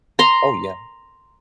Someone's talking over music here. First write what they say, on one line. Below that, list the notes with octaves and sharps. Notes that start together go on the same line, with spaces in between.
Oh, yeah.
A#5 C6